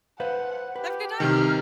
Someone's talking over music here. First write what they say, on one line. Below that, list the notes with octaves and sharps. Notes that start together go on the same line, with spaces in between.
Have a good night.
B4 C5 F5 F#5
G4 B4
C2 C3 D#3 G4 F6